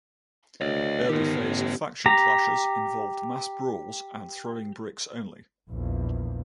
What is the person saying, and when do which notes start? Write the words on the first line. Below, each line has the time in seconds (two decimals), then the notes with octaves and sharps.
Early phase of faction clashes involved mass brawls and throwing bricks only.
0.61 D2 C#5 D#5
1.09 D#3 B3 G4
1.44 A1
2.06 G4 A#5
5.70 A#1 E2